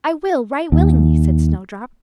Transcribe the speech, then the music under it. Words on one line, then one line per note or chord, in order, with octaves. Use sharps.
"I will, right willingly," said Snowdrop.
D#2